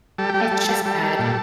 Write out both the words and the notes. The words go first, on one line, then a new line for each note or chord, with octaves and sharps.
It's just bad.
G3 A4
G3 G4
A4
G3
G3
G3 A4
G3
A#2